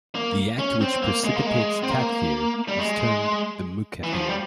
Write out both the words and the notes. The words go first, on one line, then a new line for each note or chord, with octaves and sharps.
The act which precipitates takfir is termed the mukaffir.
A#3
C#4
C4
A#3
G#3
A#3
G#3
C4
A#3
G3
G#3
E3
F3
G3